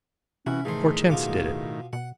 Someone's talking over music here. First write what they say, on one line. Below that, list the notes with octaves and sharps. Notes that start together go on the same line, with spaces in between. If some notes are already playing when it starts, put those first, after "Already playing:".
"Hortense did it."
C3 E3 C#4 E4 F#4
A2 D#3 E3 A3 G#4 C5
D#1 B2 F4 D6
B2 F#5